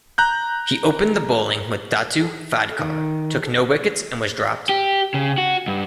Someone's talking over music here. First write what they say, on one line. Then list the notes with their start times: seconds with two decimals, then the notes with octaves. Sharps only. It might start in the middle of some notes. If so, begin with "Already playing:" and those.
He opened the bowling with Dattu Phadkar, took no wickets and was dropped.
0.18 A#5 F#6 G6
2.79 D#3
4.69 G4
5.14 C#3
5.38 F#4
5.68 G2